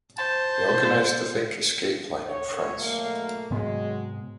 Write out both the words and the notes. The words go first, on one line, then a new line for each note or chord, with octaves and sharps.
He organised the Vic escape line in France.
C5 A5
C#5
B1 A3 A#3
G#2 C3 F#3 G#3 B3